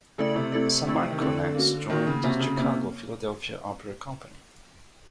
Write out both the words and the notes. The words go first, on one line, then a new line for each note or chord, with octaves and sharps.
Sammarco next joined the Chicago-Philadelphia opera company.
C#3 A3 C4 E4 A4 D5
C3
A3 C4 E4 A4 D5
A3 C4 E4 A4 D5
D#3
D3 A3 C4 E4 A4 D5
A#3 C#4 F#4
D#3 A#3 C#4 F#4
C#3
C3 A#3 C#4 F#4
C#3
C3 A#3 C#4